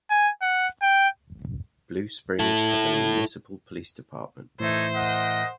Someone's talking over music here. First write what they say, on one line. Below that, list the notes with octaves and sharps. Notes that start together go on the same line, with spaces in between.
Blue Springs has a Municipal Police Department.
G#5
F#5
G5
E4 A4
A2 E3 D#4 A4 C5 C#5 E5
A#4 D#5 F#5